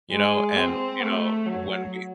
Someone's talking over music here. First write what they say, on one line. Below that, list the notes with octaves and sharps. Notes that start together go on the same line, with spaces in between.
you know, and, you know, when we
G#3
C4
A3
F#3